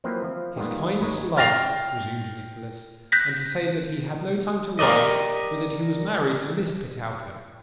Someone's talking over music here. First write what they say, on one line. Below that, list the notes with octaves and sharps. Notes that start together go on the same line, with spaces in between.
'His kindest love,' resumed Nicholas; 'and to say that he had no time to write, but that he was married to Miss Petowker.'
F3 F#3 A#3 C4 E4 B4
F3
D#3 G3 G#3 A#3 B3 F4
G#1 G#3 D#4 B4 C#5
G5 F6 A6 A#6 C7 F7
F#6 G6 A#6 B6
G4 A#4 C5 D5 D#5